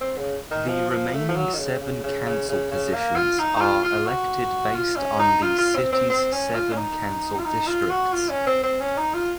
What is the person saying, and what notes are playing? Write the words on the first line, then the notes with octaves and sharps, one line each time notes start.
The remaining seven council positions are elected based on the city's seven council districts.
C4
C#3
D#3
F3
F3
A3
F3
F#3
D#3
C#3
C#3
C#3
C#3
C#3
C#3
A#3
F4
D#4
D#4
F4
F4
F#4
F4
C#4
D#4
F4
F4
C4
C4
C4
C#4
F4
C#4
D#4
F4
D#4
F4
F#4
F4
C#4
C4
C4
C#4
D#4
F4